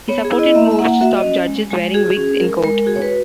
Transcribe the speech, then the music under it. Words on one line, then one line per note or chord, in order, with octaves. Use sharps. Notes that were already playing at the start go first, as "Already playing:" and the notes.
He supported moves to stop Judges wearing wigs in court.
B3 C#5
G#4
E4
D#5
A#3 E5
E5
A#3 F#5
F#4 E5
D#5
C#4
G#3
G#3
F#4 G#4
C#4
G#3 A#4
G#3 A#4
F#4 G#4
C#5
B4